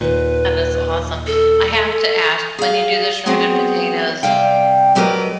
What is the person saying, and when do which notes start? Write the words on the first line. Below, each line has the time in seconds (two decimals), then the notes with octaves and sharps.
That is awesome. I have to ask. When you do the shredded potatoes,
0.01 D#2 A#2 B4
1.27 A4
2.58 G#4 F5
3.26 F#3 B3 C4 G#4 C#5
4.23 C3 G3 F5 G5
4.95 F2 F#3 G4 A#4 B4 D#5